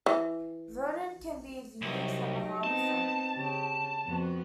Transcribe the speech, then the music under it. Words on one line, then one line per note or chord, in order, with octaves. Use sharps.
Vernon, can be viewed from the harbor front.
E3
C2 F#3 D#4 G4
B3 C4 D#4 A5
C#3 G4
F2 B3 F#4